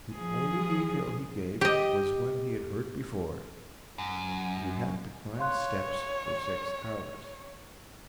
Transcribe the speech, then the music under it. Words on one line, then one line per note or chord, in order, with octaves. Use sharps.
The only detail he gave was one he had heard before, "you had to climb steps for six hours."
F3 G#4
G4 D#5
F#2
C#5 F5 C6 F#6